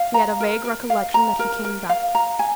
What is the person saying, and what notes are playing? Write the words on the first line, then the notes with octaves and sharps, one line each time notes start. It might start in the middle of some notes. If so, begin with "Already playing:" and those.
She had a vague recollection that he came back.
Already playing: F5
A#5
A#4
A#4
F5
A#5
A#4
A#4
F5
A#5
G#5